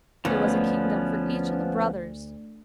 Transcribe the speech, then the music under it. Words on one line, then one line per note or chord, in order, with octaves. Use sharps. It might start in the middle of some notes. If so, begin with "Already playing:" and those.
There was a kingdom for each of the brothers.
D2 F3 B3 C#4